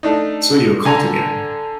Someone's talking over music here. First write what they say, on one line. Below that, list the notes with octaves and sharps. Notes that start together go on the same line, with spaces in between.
So you are caught again!
A3 D4 D#4
D3 G#5 A#5